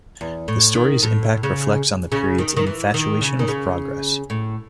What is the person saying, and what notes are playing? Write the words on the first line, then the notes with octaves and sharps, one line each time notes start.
The story's impact reflects on the period's infatuation with progress.
E2
A2
D#3
A2
C#3
C#3
D#3
D#3
E3
D#3
C#3
D#3
C#3
A2